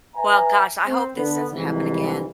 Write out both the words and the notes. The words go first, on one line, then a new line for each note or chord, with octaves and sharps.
Well, gosh, I hope this doesn't happen again,
B4 E5 G#5 A#5
C4
D3 B3
C2 F2 G#2 C3 E3